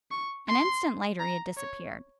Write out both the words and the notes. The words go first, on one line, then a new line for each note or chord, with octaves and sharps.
An instant later he had disappeared.
C#6
C6
A#5
C#5